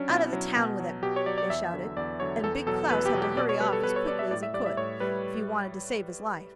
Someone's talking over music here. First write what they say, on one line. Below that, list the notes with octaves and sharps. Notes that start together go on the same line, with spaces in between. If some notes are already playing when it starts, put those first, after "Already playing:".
Out of the town with him!' they shouted; and Big Klaus had to hurry off as quickly as he could, if he wanted to save his life.
Already playing: F#3 C#4 D4
B2 E4
F#3
B2
F#3
B2 G4
C#5
F#3 D5
D5
E2 E5
D3 F#3
E2 D5
D3 F#3 C#5
E2 A4
B2 F#3 A4
E2 B4
G4
B2 F#3
G4
B2 D5
C#5
G3 B4
A4
B2 B4
C#5
G3 D5
E5
A2 D5
E5
G3 D5
E5
A2 C#5
G3 B4